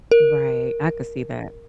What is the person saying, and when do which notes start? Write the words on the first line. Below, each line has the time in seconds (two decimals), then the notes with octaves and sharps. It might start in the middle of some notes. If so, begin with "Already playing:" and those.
Right. I could see that.
0.11 A#4